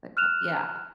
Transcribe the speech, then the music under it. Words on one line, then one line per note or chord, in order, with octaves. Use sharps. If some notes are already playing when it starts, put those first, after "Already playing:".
The prob yeah.
F6 F#6 E7 F7